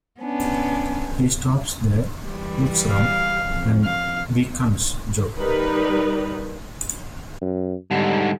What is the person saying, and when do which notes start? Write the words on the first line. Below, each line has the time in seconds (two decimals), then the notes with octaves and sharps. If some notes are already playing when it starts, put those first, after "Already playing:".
He stops there, looks round, and beckons Jo.
0.21 B3 C#4 D4
2.22 E3 G3
2.92 F5
3.49 F2
3.85 F5
5.39 G3 D#4 A#4 B4
7.41 F#2
7.91 G#2 D3 G3